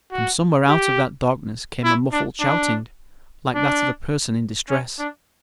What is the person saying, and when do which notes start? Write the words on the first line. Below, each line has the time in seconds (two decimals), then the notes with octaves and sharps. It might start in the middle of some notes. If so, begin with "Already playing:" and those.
From somewhere out of that darkness came a muffled shouting, like that of a person in distress.
0.12 F#4
0.69 G4
1.84 E4
2.12 D4
2.40 D4
3.55 D4
4.69 C#4
4.99 D4